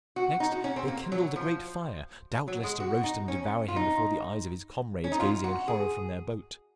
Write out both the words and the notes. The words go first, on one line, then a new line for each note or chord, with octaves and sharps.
Next they kindled a great fire,--doubtless to roast and devour him before the eyes of his comrades, gazing in horror from their boat.
F#4
D#4
F#4
C#4
C4
A#3
F#3
F3
F#3
G#3
F#4
D#4
C#4
F4
D#4
C#4
D#4
F4
F#4
G#4